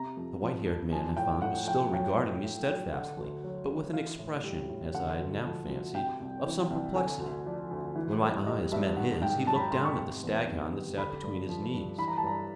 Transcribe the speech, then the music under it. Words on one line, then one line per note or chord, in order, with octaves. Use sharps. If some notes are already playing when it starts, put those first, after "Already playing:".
The white-haired man I found was still regarding me steadfastly, but with an expression, as I now fancied, of some perplexity. When my eyes met his, he looked down at the staghound that sat between his knees.
Already playing: C3 A#5
F2
F3
F2
F3 G#5
A2 G5
A2 F#5
F3 G5
F#3 G5
A2
A2
F#3
D3 F#5
D2
F#3
D2
E3 F5
A2
G3
A2
D3 F#5
D2
F3
D2
C3 G5
C2
E3
C2
D3 G#5
D2
F3 D5
D2
E3
G2
G3 D#5
G2 E5
D#3 F#5
G#2 G5
F#3 A5
B5
A#5
G#2 C6
C#6
C3
E2
D#3
G3
D3 B5
G2
F3
G2
E3 B5
A#5
A5
G2 A#5